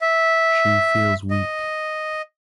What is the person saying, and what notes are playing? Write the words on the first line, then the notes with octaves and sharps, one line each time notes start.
She feels weak.
E5
D#5